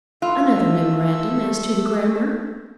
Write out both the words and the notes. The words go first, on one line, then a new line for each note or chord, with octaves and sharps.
Another memorandum as to the grammar.
A3 F4 E6